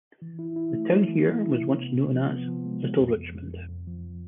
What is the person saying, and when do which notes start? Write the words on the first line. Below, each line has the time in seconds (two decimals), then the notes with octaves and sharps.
The town here was once known as 'Little Richmond'.
0.22 E3
0.39 E4
0.56 E4
0.74 A3
0.91 A3
1.09 E3
1.25 A3
1.43 E4
1.60 C3
1.77 B3
1.95 C3
2.13 F3
2.30 B3
2.48 F3
2.65 G#3
2.81 G#3
3.00 F2
3.17 F2
3.34 F2
3.52 F2
3.69 F2
3.87 F3